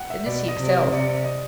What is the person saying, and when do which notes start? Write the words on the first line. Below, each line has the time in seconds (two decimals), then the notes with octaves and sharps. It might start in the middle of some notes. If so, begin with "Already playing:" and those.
In this he excelled.
Already playing: F#5 G5
0.10 E5
0.26 B2 D5
0.48 D#5
0.59 C3
0.70 D#5
0.91 C3 D5
1.08 D5
1.24 D#5